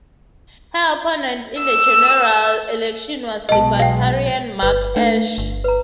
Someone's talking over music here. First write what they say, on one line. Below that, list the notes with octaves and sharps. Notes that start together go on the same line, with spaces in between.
Her opponent in the General Election was Libertarian Mark Ash.
E6
B1 B2 G#3 D#5 A5
F5 G5
G1 B4
A3 D4 D#4 E5
G1
B4 A#5